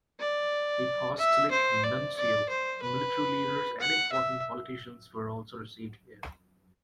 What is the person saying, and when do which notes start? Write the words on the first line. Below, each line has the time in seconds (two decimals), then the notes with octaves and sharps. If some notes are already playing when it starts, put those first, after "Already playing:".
The Apostolic Nuncio, military leaders and important politicians were also received here.
0.20 D5
1.18 E5
1.51 C5
1.84 D5
2.16 D5
2.49 C5
2.82 B4
3.80 F#5
4.12 E5